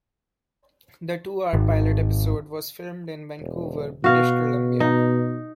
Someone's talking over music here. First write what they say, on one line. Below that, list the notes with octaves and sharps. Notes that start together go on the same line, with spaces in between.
The two-hour pilot episode was filmed in Vancouver, British Columbia.
G#1
E1
B2 F#4 F5
D#4